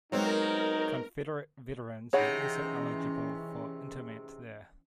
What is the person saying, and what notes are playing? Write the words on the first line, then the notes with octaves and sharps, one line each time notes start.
Confederate veterans were also eligible for interment there.
F#3 G#3 B3 C4 D#4 A#4
C3 E3 C#4 D#4 G#4 C#5 F#5 B5